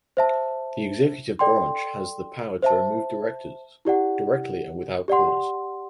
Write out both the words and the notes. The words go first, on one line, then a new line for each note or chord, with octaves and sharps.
The executive branch has the power to remove directors "directly and without cause".
C5 E5 A5
A4 D5 G5 C6
C5 E5 A5
E4 G4 D5 F#5
G4 D5 F#5 C6